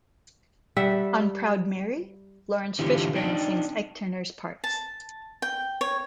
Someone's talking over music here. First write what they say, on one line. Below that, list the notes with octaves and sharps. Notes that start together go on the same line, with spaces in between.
On "Proud Mary," Laurence Fishburne sings Ike Turner's parts.
G3 E5 F#5
D3 E3 E4 F4 G4
C4 D4 D#4 G5
A5
G5
C#5